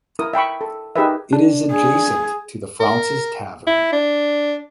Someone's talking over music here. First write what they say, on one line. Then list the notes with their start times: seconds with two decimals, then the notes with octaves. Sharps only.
It is adjacent to the Fraunces Tavern.
0.19 E4 A#4 D#6
0.33 E5 G5 B5 C#6
0.61 A4
0.96 D#4 G4 G#4 A#4 B4 E5
1.33 D4
1.72 G#4
2.80 A#4
3.67 E4
3.92 D4